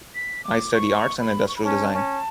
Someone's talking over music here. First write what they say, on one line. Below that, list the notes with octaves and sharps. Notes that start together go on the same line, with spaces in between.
I study arts and industrial design.
B6
D6
C#6
B5
C#6
B5
C#4 A5
C#4